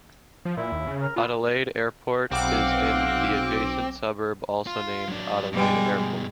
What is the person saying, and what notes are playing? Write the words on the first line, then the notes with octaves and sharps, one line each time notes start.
Adelaide Airport is in the adjacent suburb also named Adelaide Airport.
F3
A#2 E4
D#2
C#3
A#4
B3 F4
B1 C3 C4 F5 F#5 D6
F4
F#3 D4
G2 B2 G3 G#3